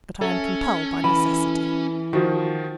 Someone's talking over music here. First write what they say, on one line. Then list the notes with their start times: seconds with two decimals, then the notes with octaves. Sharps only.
But I am compelled by necessity.
0.21 C#4 A4 E5
1.04 E3 B5
2.13 D#3 F3 F#4